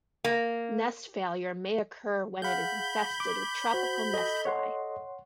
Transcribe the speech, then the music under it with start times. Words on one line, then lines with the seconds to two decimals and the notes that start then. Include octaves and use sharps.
Nest failure may occur when it is infested with tropical nest fly.
0.24 A#3
2.42 G#4 F5 F#5 B5 G6
3.20 D6
3.74 F#4 C5
4.14 A4 D#5
4.45 C#5 F#5 C6